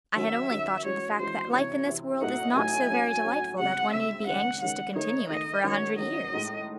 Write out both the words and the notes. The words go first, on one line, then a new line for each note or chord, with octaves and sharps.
I had only thought of the fact that life in this world is not so very delightful that one need be anxious to continue it for a hundred years.
D#3 F#3 C#4 F#4 E5
D#3 F#3 C#4 F#4
E3 G#3 C#4 F#4 C#5
E3 G#3 C#4 F#4 C5
C3 E3 C4 E4 C#5
C3 E3 C4 E4
A2 F#3 A3 D#4 F#5
A2 F#3 A3 D#4 G#5
F#3 C#4 F#4
F#3 C#4 F#4
C#3 G#3 C4 F#5
C#3 G#3 C4 E5
D#3 G#3 C#4 F#5
D#3 G#3 C#4 F#5
D#3 A3 D#4 C#5
D#3 A3 D#4 D#5
D#3 F#3 C#4 C#5
D#3 F#3 C#4 D#5
A2 G#3 D#4